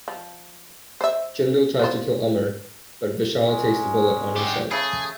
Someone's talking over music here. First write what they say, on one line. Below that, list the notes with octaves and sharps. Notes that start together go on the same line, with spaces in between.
Jindal tries to kill Amar, but Vishal takes the bullet on himself.
F3
C5 E5
B3 F4 C5
G#3 C#4
D3 G4
C#3 A3 G#4